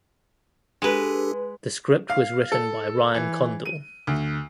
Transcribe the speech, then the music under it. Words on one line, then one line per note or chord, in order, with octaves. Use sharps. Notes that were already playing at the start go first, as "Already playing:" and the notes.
The script was written by Ryan Condal.
G#3 D4 G4 A4 B4
F5
A4
E3
D#7
D2